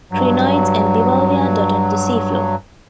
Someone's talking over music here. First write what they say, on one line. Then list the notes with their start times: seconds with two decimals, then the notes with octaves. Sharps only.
Crinoids and bivalvia dotted the seafloor.
0.12 G2 F#3